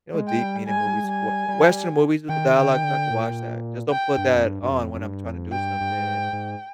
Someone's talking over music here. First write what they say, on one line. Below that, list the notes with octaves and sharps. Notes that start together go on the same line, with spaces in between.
You know, deep meaning movies, w western movies with the dialogue so I can watch that, just don't put that on when I'm trying to do something and
G#3
G5
G3
G3 G#5
G#3
G3
G#3
G3 G#5
G3
F3
G3
D#3 G5
D3
D#3
D3
A#2
G5
G2
F2
G2
G2
F2
F2
G2
F2
G2 G5
G2
G#2
G#2